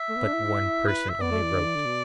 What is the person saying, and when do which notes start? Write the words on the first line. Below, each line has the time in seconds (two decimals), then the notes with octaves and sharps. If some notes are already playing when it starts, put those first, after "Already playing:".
"But one person only wrote!"
Already playing: E5
0.09 A3
0.17 B3
0.25 D4
0.33 E4
0.44 E4
0.87 B4
1.09 E5
1.21 B3 D5
1.31 A3
1.42 E3
1.54 D3
1.64 E3
1.75 D3
1.86 B2